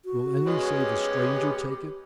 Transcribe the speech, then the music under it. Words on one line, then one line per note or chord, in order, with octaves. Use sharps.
Will any save a stranger take it?
F#4
G#3 B3 C#4
G4